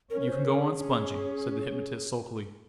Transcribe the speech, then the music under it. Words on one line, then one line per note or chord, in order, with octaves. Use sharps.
"You can go on sponging," said the hypnotist sulkily.
C#4 A#4
A#4
C5
A#4
G#4
C#4